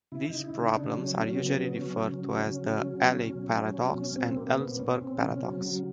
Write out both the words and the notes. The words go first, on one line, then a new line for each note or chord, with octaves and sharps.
These problems are usually referred to as the Allais paradox and Ellsberg paradox.
C#3 E4
D#4
C#3
E4
C#3
D#4
C#3 D4
F#3 C#4
F#3 C#4
C#3 B3
C#3
C#4
F#3
C#3
F#3
C#4
C#3
F#3
F#3
B2
F#3
F#3
F#3
B2 C#4
B2 C4
B2 A#3
B2 B3
B2 C#4
B2 C4
C#3 C#4
F#3